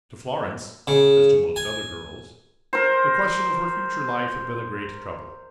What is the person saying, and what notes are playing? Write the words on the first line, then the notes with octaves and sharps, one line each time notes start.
To Florence, as to most other girls, the question of her future life had been a great trouble.
C#3
G#5
A#4 C5